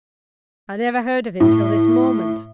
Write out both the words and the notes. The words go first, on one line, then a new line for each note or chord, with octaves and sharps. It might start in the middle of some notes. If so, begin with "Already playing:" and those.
'I never heard of him till this moment.
A2